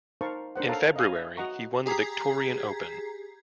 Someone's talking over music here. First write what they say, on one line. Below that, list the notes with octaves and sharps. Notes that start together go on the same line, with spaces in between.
In February he won the Victorian Open.
D#4 A#4 C5 F5 A5 C#6
D4 A#4 C5 F#5
A4 A#4 C#5 F5 A5 A#5
D#5 F5 G#5
E5
F#4 D#5 F#5 A#5 C#6
G4 G#4 A#5 G#6 B6 C7